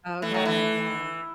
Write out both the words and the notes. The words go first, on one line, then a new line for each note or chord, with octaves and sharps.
Okay, yeah.
E3 A3
F#3
E3